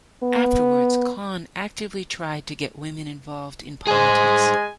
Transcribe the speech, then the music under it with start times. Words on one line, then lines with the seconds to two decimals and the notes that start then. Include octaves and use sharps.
Afterwards, Kahn actively tried to get women involved in politics.
0.23 B3
3.87 G#3 G#4 C5 G#5